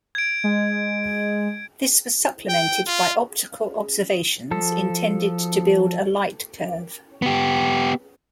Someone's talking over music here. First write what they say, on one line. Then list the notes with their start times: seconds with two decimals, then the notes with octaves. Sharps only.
This was supplemented by optical observations intended to build a lightcurve.
0.15 G#6 D7
0.44 G#3
2.49 G5
2.87 F4
4.51 F3 A4
7.22 B3 G4